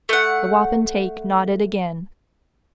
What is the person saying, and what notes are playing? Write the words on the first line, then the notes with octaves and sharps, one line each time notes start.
The wapentake nodded again.
A3 F#5